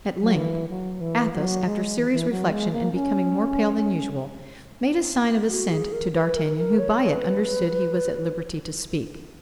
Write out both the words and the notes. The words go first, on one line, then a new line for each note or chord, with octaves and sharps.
At length Athos, after serious reflection and becoming more pale than usual, made a sign of assent to d'Artagnan, who by it understood he was at liberty to speak.
F#3
E3
F#3
E3
F#3
G#3
E3
E3
F#3
G#3
A#3
C#4
F#4
G#4
A#4
B4
A#4
A#4
C#5
B4